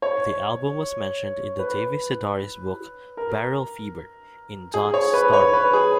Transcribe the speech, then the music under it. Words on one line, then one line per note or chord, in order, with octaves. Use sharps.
The album was mentioned in the David Sedaris book "Barrel Fever", in "Don's Story".
C#5
B4
A#4
G#4
C#5
B4
C#5
B4
G#4